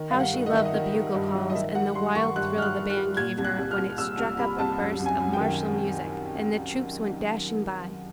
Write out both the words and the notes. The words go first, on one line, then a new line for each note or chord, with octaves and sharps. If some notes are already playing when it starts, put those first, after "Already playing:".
How she loved the bugle-calls and the wild thrill the band gave her, when it struck up a burst of martial music, and the troops went dashing by!
Already playing: D#3
G2 F5
F#5
D#3
D#5
D#3 E5
D#5
D#3
D#3
G2
F#3
D#5
D#3 E5
G3 F#5
G2 C6
D#3 C#6
G2 F#6
G3 F6
F#6
G2
F#6
G3
A#2 G#6
C2
F#6
C2
F6
C2
C2 E6
C2 F6
C2 B5
C2 A5
F#2
F#2
G#5
F#2
G5
D#3